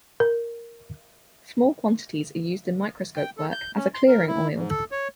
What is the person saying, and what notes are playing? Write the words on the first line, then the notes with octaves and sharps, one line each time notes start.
Small quantities are used in microscope work as a clearing oil.
A#4
G5
A4
G6
C#4
C6
A#4
E4
G#2
A4
C#5